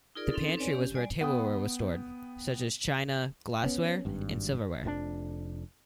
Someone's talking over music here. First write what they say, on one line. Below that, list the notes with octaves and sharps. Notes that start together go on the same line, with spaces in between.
The pantry was where tableware was stored, such as china, glassware, and silverware.
D#4 F4 G#4 A#4 D5 D#6
C4 C#4 D#4 A4
C4 B4 C#5 D5 G#5
C#4 G4
G3 D5 G#5
B3 G5 D#6
B3 C#4
G#1 G2
F1 F2 A#2 D4